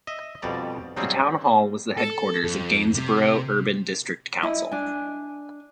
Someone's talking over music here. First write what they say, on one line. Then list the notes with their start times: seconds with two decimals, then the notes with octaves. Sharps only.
The town hall was the headquarters of Gainsborough Urban District Council.
0.07 D#5 E5
0.42 F2 B2 G3 D5 A#5
0.96 C#3 F#3 G3 C4 D#4 G#4
1.98 A4
2.44 F2
2.94 C3
4.43 E4 D#5
4.72 D4 G#5